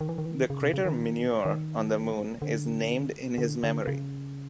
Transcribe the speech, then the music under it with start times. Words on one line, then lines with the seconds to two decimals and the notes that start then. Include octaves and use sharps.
The crater Mineur on the Moon is named in his memory.
0.01 D#3
0.09 E3
0.18 D#3
0.26 E3
0.34 D#3
0.50 C#3
0.61 C3
0.74 C#3
0.85 D#3
1.45 D#3
2.42 D3
3.38 D3
3.63 D3
3.87 C#3